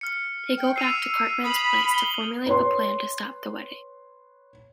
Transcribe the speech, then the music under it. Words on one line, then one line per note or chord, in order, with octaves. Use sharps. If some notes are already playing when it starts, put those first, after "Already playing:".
They go back to Cartman's place to formulate a plan to stop the wedding.
F6 C#7
G5
E6 C7 D#7 F7
B5 D#6 C7 F#7
G7
B4 C#5 C6